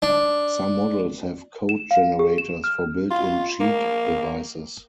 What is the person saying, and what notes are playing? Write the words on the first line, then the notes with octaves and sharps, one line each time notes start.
Some models have code generators for built in cheat devices.
D4
E7
F5
G#4
E7
F6
F4
A#3